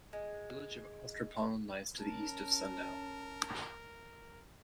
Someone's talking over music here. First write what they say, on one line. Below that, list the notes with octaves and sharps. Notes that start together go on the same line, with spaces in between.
The village of Austrepollen lies to the east of Sunndal.
G#3
C#4 A#4 A5